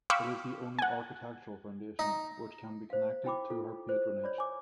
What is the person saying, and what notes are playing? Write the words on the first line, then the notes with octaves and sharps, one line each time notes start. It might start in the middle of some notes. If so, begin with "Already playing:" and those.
It is the only architectural foundation which can be connected to her patronage.
F5 G5 B5 C#6 D6 E6
F#5 G#5
D#4
C5 F5
D#4 E4 G5 B5 D6
F4 A4
C5
C#5 D5 B5
G#5 D6